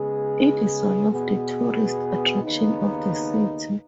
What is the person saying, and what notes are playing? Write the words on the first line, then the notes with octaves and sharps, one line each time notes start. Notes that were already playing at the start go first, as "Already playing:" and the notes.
It is one of the tourist attraction of the city.
Already playing: C#3 G#3 B3 G#4
B2 B3 G#4
D#2 C#3 B3 D#4